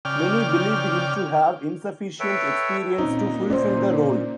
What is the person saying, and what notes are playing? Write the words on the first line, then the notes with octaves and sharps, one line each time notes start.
Many believed him to have insufficient experience to fulfill the role.
C#3 D5 G5 F6
A4 B4 C#5 E5 G5
A#2 C4 C#4 D#4
C#4 C5 D5